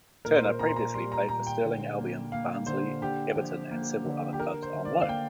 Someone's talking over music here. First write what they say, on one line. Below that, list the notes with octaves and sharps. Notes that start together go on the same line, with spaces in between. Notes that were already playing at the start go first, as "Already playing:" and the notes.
Turner previously played for Stirling Albion, Barnsley, Everton and several other clubs on loan.
A#2 A#4
C5
A#4
A#2 A#5
C6
A#5
G3 C6
A#5
A#2 A#5
G5
D3
A#3
A#3 F5
D3 C5
D3 G4
F3
A#3
D3
G4
D3 A#4
C5
D3
D5
F5
A#3 G5